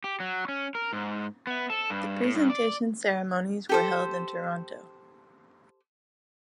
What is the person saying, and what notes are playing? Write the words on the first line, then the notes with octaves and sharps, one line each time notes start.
The presentation ceremonies were held in Toronto.
G4
F#3
C#4
A#4
G#2
B3
A4
G2
A2
G2
D5
G4 A4 C5